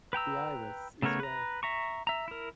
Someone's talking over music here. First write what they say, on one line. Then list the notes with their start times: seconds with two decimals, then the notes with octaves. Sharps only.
The iris is red.
0.13 B4 G5 A#5 E6
1.02 C#3 A3 B3 A#4 C#5
1.20 B4 A#5
1.63 E5 A#5 C#6
2.07 E5 A#5
2.28 E4 A#4